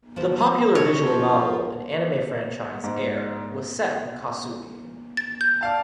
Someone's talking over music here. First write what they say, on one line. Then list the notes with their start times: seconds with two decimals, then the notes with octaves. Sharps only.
The popular visual novel and anime franchise "Air" was set in Kasumi.
0.16 F3 B4 C5
0.75 C#4 C#5
1.06 F3
2.84 G#2
5.17 A6
5.41 G6
5.61 D5 F5 A5